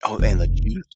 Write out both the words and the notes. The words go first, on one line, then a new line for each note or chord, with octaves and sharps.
Oh, and the cheese.
F1 D#2